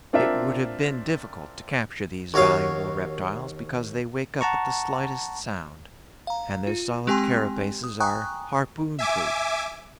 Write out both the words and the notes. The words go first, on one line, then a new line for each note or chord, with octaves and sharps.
It would have been difficult to capture these valuable reptiles, because they wake up at the slightest sound, and their solid carapaces are harpoon-proof.
C4 D4 F4 A#4 E5
D#2 F#4 C#5 F5 D#6
F#5 A5 A#5 C#6
F5 A#5
F4
G#3 C4 G4 G5 G#5 C6
D#6
G5 G#5 A#5 C#6 D#6 F#6
E5 G#5 D6